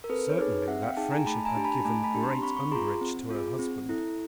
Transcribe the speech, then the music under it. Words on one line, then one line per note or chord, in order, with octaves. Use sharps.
Certainly that friendship had given great umbrage to her husband.
A#4
C4 A4 B4
B4 C#5
D#4 G#4
C4 E5 F#5
F5 G5
D#4 G#4 G5 A5
G#5 A#5
A3 A5 B5
G#5 A#5
D4 G4
A5 B5
A3 G#5 A#5
A5 B5
D4 G4
A#5 C6
C4 B5 C#6
B5 C#6
F4 G#4 A#5 C6
C4
F4 G#4
C4
E4 A4